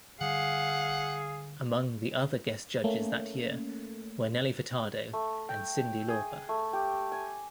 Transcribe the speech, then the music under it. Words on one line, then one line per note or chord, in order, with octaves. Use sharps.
Among the other guest judges that year were Nelly Furtado and Cyndi Lauper.
D3 G3 G#4 F5 F#5
A3 A#3 C#4
A3
G5
G#4
A3
G4
G#5